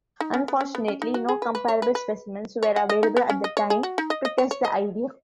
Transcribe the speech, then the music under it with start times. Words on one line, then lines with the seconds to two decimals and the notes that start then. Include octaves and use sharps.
Unfortunately, no comparable specimens were available at that time to test the idea.
0.20 D#4
0.34 C#4
0.48 B3
0.61 C#4
0.75 B3
0.88 C#4
1.02 D#4
1.14 F#4
1.29 G#4
1.42 B4
1.55 B4
1.68 C#5
1.82 B4
1.95 B4
2.63 C#5
2.76 F#5
2.89 D#5
3.03 D#4
3.17 B3
3.30 C#4
3.44 D#5
3.57 C#5
3.70 G#4
3.83 F#4
3.98 D#4
4.10 D#5
4.25 D#5
4.38 C#5
4.51 C#5
4.65 D#5